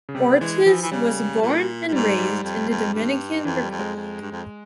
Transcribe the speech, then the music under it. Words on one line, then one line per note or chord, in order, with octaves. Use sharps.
Ortiz was born and raised in the Dominican Republic.
C#3
C3 G3
E3 G#3
E3 F3
E3
C#3 G3
A#2
A#2
G#2 G3
G3
F2
F2
G2
F2 E3
G3
F2
G#3
F2
G2
F2